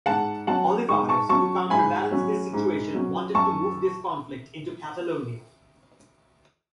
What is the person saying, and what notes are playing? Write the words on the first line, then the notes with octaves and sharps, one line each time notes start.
Olivares, to counterbalance this situation, wanted to move the conflict into Catalonia.
G#2 F#5 A5
F#3 C#4 F#5 A5
G#2 C#6
A5 C#6
F#3 C#4 A5 C#6
G#2 G#5 B5
F#3 C#4
G#2
F#3 C#4
F#2 A5 C#6